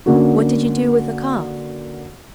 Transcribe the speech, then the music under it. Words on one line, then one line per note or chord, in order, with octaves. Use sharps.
'What did you do with the calf?'
D3 A#3 C#4 F#4